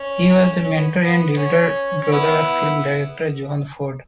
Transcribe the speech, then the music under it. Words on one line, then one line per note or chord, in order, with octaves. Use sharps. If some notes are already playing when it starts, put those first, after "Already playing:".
He was the mentor and elder brother of film director John Ford.
Already playing: C#4
C#4
B3
B3
B3
C#4
C#4
B3 E4